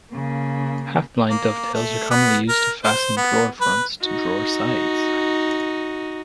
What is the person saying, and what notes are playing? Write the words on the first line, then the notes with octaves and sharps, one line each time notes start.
Half-blind dovetails are commonly used to fasten drawer fronts to drawer sides.
C#3 A#3
A#3
A3
B3
A#4
C5
B3
B4
D#4 F#4